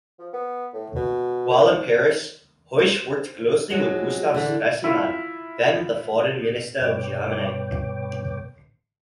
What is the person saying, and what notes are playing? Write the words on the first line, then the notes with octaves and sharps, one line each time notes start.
While in Paris, Hoesch worked closely with Gustav Stresemann, then foreign minister of Germany.
F3
B3
A2
B2
A#2
C5
F3 F#3 G#3 G#4
D3 E3
E4 F4
G2 B2 B4 C#5 G5 D6